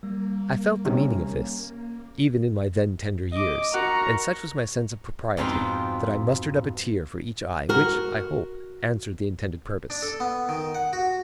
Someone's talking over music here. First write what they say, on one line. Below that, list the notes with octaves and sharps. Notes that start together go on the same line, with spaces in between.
I felt the meaning of this, even in my then tender years; and such was my sense of propriety, that I mustered up a tear for each eye, which, I hope, answered the intended purpose.
G3 A#3
C3 D#3 C#4 G4 A#4
D#5 D6
F#4 A#4 A#5 C#6
F2 G#2 B2 F4 G5
F#4 A#4
D4
A4
B3
D#3
F#5
F#4